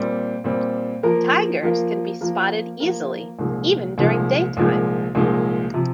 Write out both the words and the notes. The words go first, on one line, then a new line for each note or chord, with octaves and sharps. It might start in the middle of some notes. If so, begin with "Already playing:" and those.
Tigers can be spotted easily even during daytime.
Already playing: A#2 G3 C4
A#2 G3 C4
F3 A#3 F4 A#4
F3 A#3 F4 A#4
F3 A#3 F4 A#4
F3 A#3 F4 A#4
C2 A#2 F3 G#3 D#4
C2 A#2 F3 G#3 D#4
C2 A#2 F3 G#3 D#4
C2 A#2 F3 G#3 D#4
C3 F3